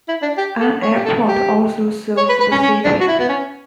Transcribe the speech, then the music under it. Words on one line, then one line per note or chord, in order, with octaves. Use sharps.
An airport also serves the city.
E4
D4
G4
A4
C#5
G4
A4
G4
C#5
B4
B4
C#4
C#4
D4
F#4
E4
B3
C#4